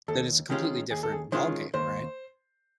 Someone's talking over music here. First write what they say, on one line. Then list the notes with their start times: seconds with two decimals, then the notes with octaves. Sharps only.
That is a completely different ballgame, right?
0.08 D#2 A4
0.50 D#3 G#3 C#4 F4 G4
0.91 D#2 G#4
1.03 A4
1.12 G#4
1.32 D#3 G#3 C#4 F4 C5
1.74 D#2 C5